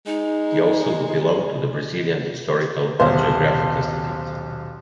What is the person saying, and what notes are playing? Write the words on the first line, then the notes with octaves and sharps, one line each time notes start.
He also belonged to the Brazilian Historical and Geographic Institute.
G#3 D#4
D#1 B1 C5 F5